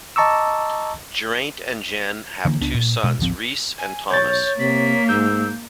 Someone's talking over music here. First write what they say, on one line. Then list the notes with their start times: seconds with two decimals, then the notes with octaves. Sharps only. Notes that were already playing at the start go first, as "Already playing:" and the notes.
Geraint and Jen have two sons, Rhys and Thomas.
0.16 D#5 A5 A#5 C#6 D6 E6
2.45 D3 E3 A3 A#3
2.61 C#2 B3 D4
2.74 A#2
3.04 B2 G#3
3.19 D1 G#1 F3 C4
3.79 G#5
4.11 B1 C#5 G6 A6
4.60 C3 A#3 B6
5.09 G#2 E6 G6